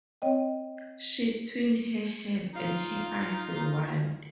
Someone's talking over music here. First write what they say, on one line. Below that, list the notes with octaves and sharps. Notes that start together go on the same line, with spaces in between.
She twined her hands and her eyes were wild.
C4 C#5 D#5 G5
D#4 F4 F5